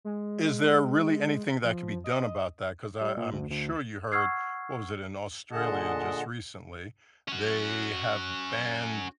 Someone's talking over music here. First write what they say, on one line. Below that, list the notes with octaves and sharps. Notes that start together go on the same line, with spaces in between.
is there really anything that could be done about that? 'Cause I I'm sure you heard what was it? In Australia just recently, they have banned,
G#3
F3
D#5
G3
A#2
D2
D2
F#5 C#6 E6 F6 G#6 C7
A#2 D3 G#4 D#5 F#5 A5
C#4 F#4